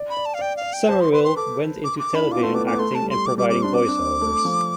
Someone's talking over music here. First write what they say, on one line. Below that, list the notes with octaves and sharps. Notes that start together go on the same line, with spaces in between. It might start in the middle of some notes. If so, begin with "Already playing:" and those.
Somerville went into television acting and providing voice-overs.
Already playing: D5
B5
D5
A5
F5
D5 G5
D5 F5
G5
C5 A5
C6
B4 C6
B4 C6
A4 D6
D6
D6
D4 B5
E4
F4 D6
B3
A3 C6
B3 D6
B3 D6
A3 C6
A5
G3
C6
D6
G3 D6
C4 D6
D4 C6
C4 D6
D4
C4
A3
F3